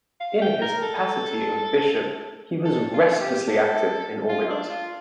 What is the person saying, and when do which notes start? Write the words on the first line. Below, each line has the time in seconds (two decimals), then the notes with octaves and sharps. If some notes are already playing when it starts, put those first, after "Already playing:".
In his capacity of bishop he was restlessly active in organising.
0.20 F5
0.42 G5
0.62 A#4
0.82 A4
2.65 A4
2.93 F4
3.21 G4
3.48 A4
4.29 F4
4.50 D4
4.70 F4